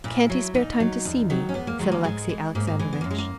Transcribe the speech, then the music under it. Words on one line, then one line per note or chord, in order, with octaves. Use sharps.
"Can't he spare time to see me?" said Alexey Alexandrovitch.
A#2 E4
F#3
A#2 D#4
F#3
E2
D#3 F#3
C#4
E2 B3
A#3
D#3 F#3 G#3
A#3
G#2 G#3
E3
G#2 A#3
A#3
E3 G#3
B3
F#2 A#3
G#3
A#3